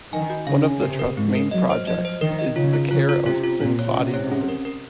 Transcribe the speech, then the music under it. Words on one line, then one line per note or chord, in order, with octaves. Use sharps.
One of the trust's main projects is the care of Kincladie Wood.
D#3 G#5
F#4
C#3 F5
G#5
C3 A#4
A#4
G#2 C4
A#4
F#3 D#5
C5
F3 D#5
C5
D#3 A#4
D#5
C#3 F4
F4
C#3 F4
F4
C3 F4
F4
A#2 F4
C#5
C3 C#4
C#5
C#4
A#4
A#4